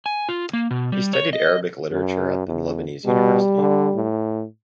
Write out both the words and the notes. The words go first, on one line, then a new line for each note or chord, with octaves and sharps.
He studied Arabic literature at the Lebanese University.
G#5
F4
A#3
B2
G3
C#5
D#5
F#2
E2
B2 G3
D3
A2